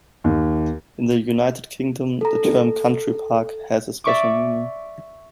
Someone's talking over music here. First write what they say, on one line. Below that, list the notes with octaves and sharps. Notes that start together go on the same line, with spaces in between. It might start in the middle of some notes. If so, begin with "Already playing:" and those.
In the United Kingdom the term 'country park' has a special meaning.
D#2
A4 A#5
D5 E5 C#6 D6